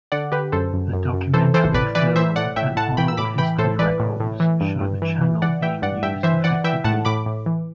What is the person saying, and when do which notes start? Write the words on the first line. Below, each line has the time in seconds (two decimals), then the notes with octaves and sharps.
The documentary film and oral history records show the channel being used effectively.
0.12 D3 D5 F#5
0.32 D3 G4 B4
0.52 F#2 A4 C5
0.73 F#2
0.94 F#2
1.13 F#2
1.34 E3 A4 C5
1.54 E3 A4 C5
1.74 A2 B4 D5
1.95 E3 B4 D5
2.15 E3 C5 E5
2.36 A2 D5 F#5
2.56 A2 E5 G5
2.76 A2 F#5 A5
2.97 E3 G5 B5
3.08 E6
3.17 A2 B5 D6
3.38 E3 G5 B5
3.58 A2 A4 C5
3.79 E3 B4 D5
4.00 A2
4.20 A2
4.40 E3
4.61 G2
4.81 G2
5.02 E3
5.21 E3
5.42 E3 D5 F#5
5.62 E3 E5 G5
5.82 G2 D5 F#5
6.03 G2 E5 G5
6.23 E3 C5 E5
6.44 E3 D5 F#5
6.64 E3 E5 G5
6.84 A2 F#5 A5
7.05 A2 B5 D6
7.26 A2
7.46 E3